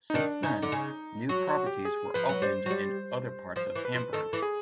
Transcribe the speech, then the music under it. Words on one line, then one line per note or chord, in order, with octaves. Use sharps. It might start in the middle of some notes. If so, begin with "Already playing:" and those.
Since then, new properties were opened in other parts of Hamburg.
D#4
D#3 D4
C#3 D#4
D3
C#3
F#3
F#4
G4
G#4
F3 B4
F#3
G3 C5
F#3
G3
F3 C5
E3
B4
F3
D#3 A4
E3
G#4